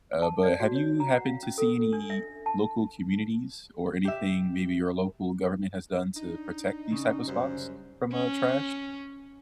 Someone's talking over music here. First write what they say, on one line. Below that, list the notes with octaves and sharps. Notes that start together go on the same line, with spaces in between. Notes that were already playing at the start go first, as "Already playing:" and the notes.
Uh, but have you happened to see any local communities or anything maybe your local government has done to protect these type of spots from, uh, trash?
A5
D5
F#4
C#5
A#5
F#5
F5
C#4
A4
D4
E5
A5
G4 E5
D4 D#4
C#3
F#2 G3 C5
C#4